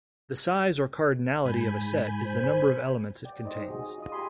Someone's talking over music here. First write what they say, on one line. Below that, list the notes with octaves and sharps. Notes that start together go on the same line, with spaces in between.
The size or cardinality of a set is the number of elements it contains.
G#2 G#5 B5 G6
C5
D5 G5
D#4 C5 D#5 G#5
F#4 G#4 D#5
F4 D#5 D#6
G4 G#5 B5 C6